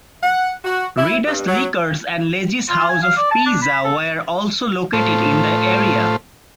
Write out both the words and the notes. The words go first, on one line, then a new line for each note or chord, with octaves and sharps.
Reda's Liquors and Lizzi's House of Pizza were also located in the area.
F#5
F#4
E4
G2
F#3
F4
G#5
F5
D5
A5
D4
B5
A4
A2 A3 F4 C5